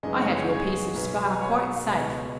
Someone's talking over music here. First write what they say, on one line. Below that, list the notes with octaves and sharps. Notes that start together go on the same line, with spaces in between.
I have your piece of spar quite safe.
F#2 C#3 G#3 B3 D#4 D#5 G#5
C#5 F#5
C#5 F#5
G#4 C#5
B1 B2 B3
G#5
C#5 F#5
C#2 B2 G#3 B3